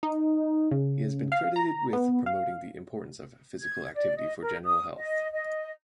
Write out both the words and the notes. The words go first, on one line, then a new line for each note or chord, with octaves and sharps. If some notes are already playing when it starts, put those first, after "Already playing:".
He has been credited with promoting the importance of Physical Activity for general health.
D#4
C#3
F5
A#5
B3
F5
G#6
D5
D#5
A#4
D#6
D#5
D#5